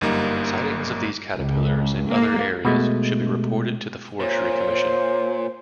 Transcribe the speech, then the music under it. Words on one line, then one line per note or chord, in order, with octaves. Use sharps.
Sightings of these caterpillars in other areas should be reported to the Forestry Commission.
G1 F#2 G3 A#3 D#4
C#2
A#3
B2 G#3 A3
A#2 C5 C#5